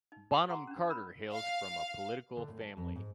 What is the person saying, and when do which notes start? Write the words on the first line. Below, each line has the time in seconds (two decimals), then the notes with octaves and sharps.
Bonham-Carter hails from a political family.
0.12 D#4
0.33 G4 A#4 G5
0.49 G#4 F#5 A#5 C6
0.67 C#4 D4
0.90 A#4 B4 B5
1.32 F5
2.37 D3
2.48 A2
2.61 A5
2.77 F2
2.96 G#2